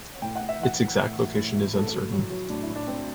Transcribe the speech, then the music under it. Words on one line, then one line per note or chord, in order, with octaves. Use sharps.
Its exact location is uncertain.
A2 G5
F#5
A2
E5
E3 F#5
E3
A2
E3
A2
E3
A2 A4
F#3
F#3
F#3
A2 D4
E4
A2
D4
A2 C4